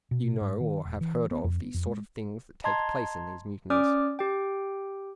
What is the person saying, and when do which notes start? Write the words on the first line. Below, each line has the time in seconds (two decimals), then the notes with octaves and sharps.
You know, or have heard of, the sort of things that take place in these mutinies.
0.11 B2
0.41 G#2
0.61 D#3
0.85 E1
1.01 E3
1.31 B3
1.44 F2
1.63 B3
1.74 F2
1.86 G#3
2.64 D#5 A5 A#5 C6 G#6
3.70 C#4 D5 D6 D#6 F6
4.19 G4 G5